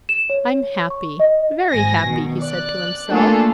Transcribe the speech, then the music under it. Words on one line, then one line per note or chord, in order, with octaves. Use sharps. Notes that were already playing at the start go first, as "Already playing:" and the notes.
"I'm happy, very happy!" he said to himself.
E7
C#5
C#6
D#5
G#1 G#2 G#5 A#6
B2 D#3
D5 F#6
A3 A#3 D4 F4 G#4 A4